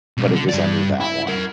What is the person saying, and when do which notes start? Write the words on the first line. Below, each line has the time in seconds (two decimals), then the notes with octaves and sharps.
but it was under that one.
0.17 B2 G3
0.33 D3
0.49 G2 D5
1.01 E4
1.27 A#4 F#5